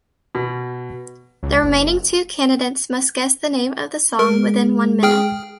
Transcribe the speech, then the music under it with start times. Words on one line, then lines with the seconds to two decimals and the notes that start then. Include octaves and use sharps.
The remaining two candidates must guess the name of the song within one minute.
0.35 B2
1.43 C#2
1.62 F#1
4.19 G#3 A#4
5.03 G#4 G5 F6